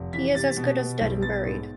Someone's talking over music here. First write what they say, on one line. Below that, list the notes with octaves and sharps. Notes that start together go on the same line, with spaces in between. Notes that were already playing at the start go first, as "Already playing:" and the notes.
He is as good as dead and buried.
Already playing: F1
E3 B6
C3 A6
B2
B3
B1
B3 A6
G#2